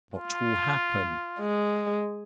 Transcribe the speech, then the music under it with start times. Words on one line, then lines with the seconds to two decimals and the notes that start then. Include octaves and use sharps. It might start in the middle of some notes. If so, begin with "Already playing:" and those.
What will happen?
0.14 F4
1.39 G#3